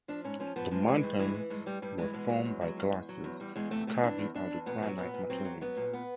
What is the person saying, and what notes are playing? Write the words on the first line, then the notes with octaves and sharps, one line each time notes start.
The mountains were formed by glaciers carving out the granite material.
F3 D4
G#2 C#4
F3 C#4
F3 B3
F3 G#3
E3 G#3
G2
E3 G#3
E3
G2 G#3
G2 G3
G2 G3
E3 G#3
B2 G#3
F#3
E2
F#3
E2
E2
F#3
E2
E2 G3
E2 G#3
C3 A3
C3 A3
E3 D4
E2
E2 D4
E2
A#2 B3
F#3
A#2 B3
A#2
F#3 C4
F#3
F#3 B3
A#2
B3